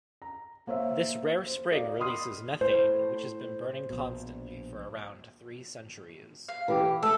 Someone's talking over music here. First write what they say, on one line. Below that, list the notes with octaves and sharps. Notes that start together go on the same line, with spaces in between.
This rare spring releases methane, which has been burning constantly for around three centuries.
A#5
A#3 C5 C#5 E5 F5
C5
F#4 A#4 D5 D#5 F5
B5 C6 D#6 F6 C7
A2 C5
A#1 B2
F5
E3 G4
A3 A4